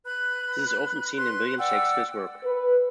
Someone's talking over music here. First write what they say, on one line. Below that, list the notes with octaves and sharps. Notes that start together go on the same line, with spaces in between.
This is often seen in William Shakespeare's work.
B4 B5 F#6
B4 C6 F#6
D5 F#5 G5 E6
B4